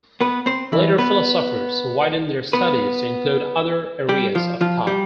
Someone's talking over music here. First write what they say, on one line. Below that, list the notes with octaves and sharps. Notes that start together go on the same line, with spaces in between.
Later philosophers widened their studies to include other areas of thought.
B3 B4
C4 C5
E3 E4
B3 B4
B3 B4
G3 G4
F3 F4
F3 F4
G3 G4